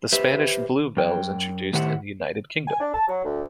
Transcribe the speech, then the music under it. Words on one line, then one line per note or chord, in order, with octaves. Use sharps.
The Spanish bluebell was introduced in the United Kingdom.
G4 B4 C5 E5
F#2 G5
A2 D#3 G4 C5 E5 F#5
G#5
D4
A5
F#3
D2